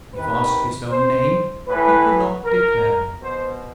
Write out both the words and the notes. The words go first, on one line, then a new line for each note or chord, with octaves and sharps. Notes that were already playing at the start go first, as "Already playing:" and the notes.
If asked his own name, he could not declare it.
C3 D#3 B4
C5
A2 E3 B4
A#4
B2 C5